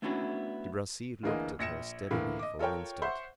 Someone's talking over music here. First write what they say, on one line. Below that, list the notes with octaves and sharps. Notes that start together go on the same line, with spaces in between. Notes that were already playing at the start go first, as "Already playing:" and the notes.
De Bracy looked at her steadily for an instant.
A3 B3 C#4 D4 E4 F#4
D2 D3 E3 A#3 G#4 D#5
A#1 A#6 C#7 E7
A2 D3 E3 A#3
D#5 D6
F4 A4 A#4 C#5 G5
C5 E5 F#5 C6 C#6